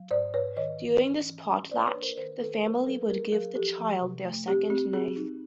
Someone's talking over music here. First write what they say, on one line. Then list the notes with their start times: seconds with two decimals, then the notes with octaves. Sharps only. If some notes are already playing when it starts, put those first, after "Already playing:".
During this potlatch, the family would give the child their second name.
Already playing: F#3
0.11 G#2 C5 D5
0.34 G#2 B4 C#5
0.57 D#3 C#5 D#5
0.80 E3
1.03 C#4
1.26 E3
1.49 C#4
1.71 A#3 C5 D5
1.87 B4 C#5
1.94 D4
2.02 A#4 C5
2.18 D#3 A#4 C5
2.41 D#3 A4 B4
2.64 F#3 A#4 C5
2.86 F#3 A4 B4
3.09 A#3 G#4 A#4
3.32 F#3 G#4 A#4
3.55 F3 G4 A4
3.78 F3
4.01 C3
4.24 A3
4.47 C4 G4
4.70 C4 G4
4.93 C4 F#4 G#4
5.16 D#4